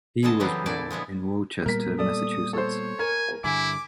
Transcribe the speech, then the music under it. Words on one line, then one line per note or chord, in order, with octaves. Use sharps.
He was born in Worcester, Massachusetts.
B2 D3 G#3 A4 D#5 A5
C#3 E3 F#3 G3 B3 C4
A#2 D3 E4 D5 A5
F3 G#3 B3 E4
A#2 G3 B3 A#4 B6
A4 D5 D#6
A4 C5 C#5
A#4 G#5
G2 D3 E4 G#5 D6